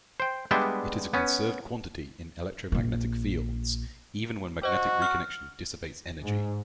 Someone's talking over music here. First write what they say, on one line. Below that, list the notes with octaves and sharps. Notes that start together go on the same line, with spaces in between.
It is a conserved quantity in electromagnetic fields, even when magnetic reconnection dissipates energy.
C5 G5
G3 G#3 B3 D4 E5 G5
B3 C#4
A#1 A#3
F#4 C5 D#5
F6
G#2